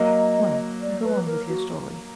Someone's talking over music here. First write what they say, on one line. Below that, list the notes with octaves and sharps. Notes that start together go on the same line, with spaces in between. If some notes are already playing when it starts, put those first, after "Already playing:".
"Well, go on with your story."
Already playing: F#3 A#3 D#5
D5
B4
A#4
F#4